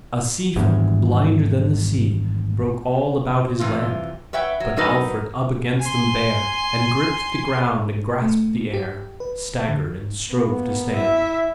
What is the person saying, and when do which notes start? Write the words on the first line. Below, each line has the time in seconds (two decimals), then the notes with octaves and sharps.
A sea-folk blinder than the sea Broke all about his land, But Alfred up against them bare And gripped the ground and grasped the air, Staggered, and strove to stand.
0.56 G#1 E2 G2
3.59 C3 E3 F4
4.33 B4 C#5 E5 F#5 G5
4.60 F#3
4.76 F#3 D#4 A#4 B4
5.81 G#5 C6
8.22 A3
8.73 G4
9.20 B4
9.69 D3
10.32 A#3 B3
10.95 E4 E5